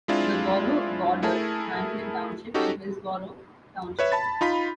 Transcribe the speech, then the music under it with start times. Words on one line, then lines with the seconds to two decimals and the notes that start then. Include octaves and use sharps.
The borough borders Franklin Township and Hillsborough Township.
0.08 G#3 C4 D4 E4 F4
1.22 A3 E4 G#4 A#4 A5
2.54 C#4 D#4 F#4 G4 A4
3.99 B4 C#5 E5
4.12 A5 B5 A6
4.41 D#4 F4 B5 B6